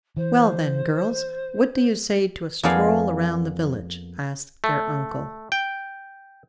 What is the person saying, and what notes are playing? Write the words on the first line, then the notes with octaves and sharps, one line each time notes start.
"Well then, girls, what do you say to a stroll around the village?" asked their uncle.
E3 C5
F2 A#3 B3 G#4 D5 F5
A3
G5